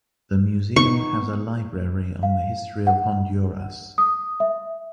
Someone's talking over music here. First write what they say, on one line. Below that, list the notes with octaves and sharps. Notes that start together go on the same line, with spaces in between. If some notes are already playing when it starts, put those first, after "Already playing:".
The museum has a library on the history of Honduras.
B3 D#4 C#6
F5
F#5
D#6
E5